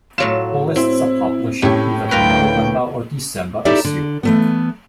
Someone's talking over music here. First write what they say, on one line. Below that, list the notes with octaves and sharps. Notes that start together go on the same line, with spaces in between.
Lists are published in either the November or December issue.
A2 F#3 F4 E7
C4 E4
A2 A3 C#4 E4 G4
D2 F4 A#4 B4 G5
D#4 E4 G4 A4 D5 E5
D3
E3 A3 B3